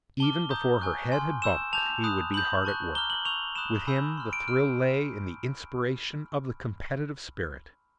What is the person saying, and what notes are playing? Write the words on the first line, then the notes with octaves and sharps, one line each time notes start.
Even before her head had bumped, he would be hard at work. With him the thrill lay in the inspiration of the competitive spirit.
A5 D6 F6 G7
A#5 D#6 G6
G#5 C#6 F#6
G#5 C6 F6
C#6 E6 G6 E7
A5 D6 G6 F7
B5 D#6 F#6
B5 D#6 G6 F#7
A5 C#6 F#6
A#5 D6 F6 G7
F#7
C#6 E6 G6 F7
B5 D#6 F#6 E7
G#5 B5 E6 G6
C6 F6
D7
F6 D7